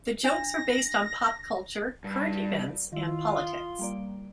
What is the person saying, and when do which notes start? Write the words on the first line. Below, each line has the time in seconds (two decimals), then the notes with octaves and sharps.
The jokes are based on pop culture, current events, and politics.
0.24 D4 A#6
2.04 G2
2.92 D#3 E4 F4
3.37 D#6 G7
3.79 G3 A#3 D5